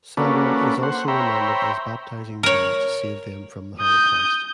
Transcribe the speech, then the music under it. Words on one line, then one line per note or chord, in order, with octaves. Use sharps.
Sabol is also remembered as baptizing Jews to save them from the Holocaust.
A#3 C#4 D4 F#4 A4 B4
C5 F#5
C5 C#5 E5 G5 A#5 B5
A#4 C#5
D#6 G6